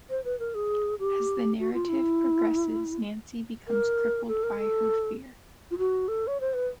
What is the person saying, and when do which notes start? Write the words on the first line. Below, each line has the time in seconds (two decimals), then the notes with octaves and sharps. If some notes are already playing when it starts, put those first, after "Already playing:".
As the narrative progresses, Nancy becomes crippled by her fear.
0.10 C5
0.24 B4
0.39 A#4
0.54 G#4
0.99 G4
1.59 F#4
1.74 F4
1.89 E4
3.68 A#4
4.28 A4
4.43 A#4
4.58 A4
5.71 F4
5.78 F#4
6.08 A4
6.27 C#5
6.40 C5
6.54 B4